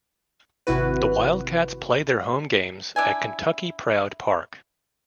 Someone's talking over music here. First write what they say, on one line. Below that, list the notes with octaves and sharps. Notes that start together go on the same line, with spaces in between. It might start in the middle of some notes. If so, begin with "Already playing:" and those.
The Wildcats play their home games at Kentucky Proud Park.
G#1 C3 E4 F#4 B4
D4 E4 G#5